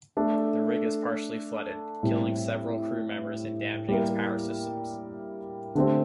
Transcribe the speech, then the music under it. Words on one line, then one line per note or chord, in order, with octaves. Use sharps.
The rig is partially flooded, killing several crew members and damaging its power systems.
A3 D4 A4
A2 G3 C4 E4
G3 A#3 E4 A#4
D3 A3 C4 G4 C5